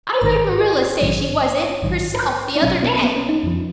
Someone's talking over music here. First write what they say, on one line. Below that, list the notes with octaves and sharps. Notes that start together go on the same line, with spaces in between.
"I heard Marilla say she was it, herself, the other day."
G#1 G#2 D#3
D#5
A#1 G#2 D#3 F#3
C#5
C#5
A#1 G#2 D#3 F#3
D#4
B1 B2 F#3 C#4
B3
B3
C#4
D#4
F2 F3